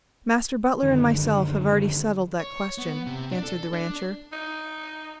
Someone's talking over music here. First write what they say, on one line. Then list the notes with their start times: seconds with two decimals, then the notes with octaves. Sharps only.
"Master Butler and myself have already settled that question," answered the rancher.
0.83 F#2 D3 D#3
2.40 C#5
2.78 B3
3.06 C3
3.32 D4
3.43 A4
3.73 D4
4.33 D#4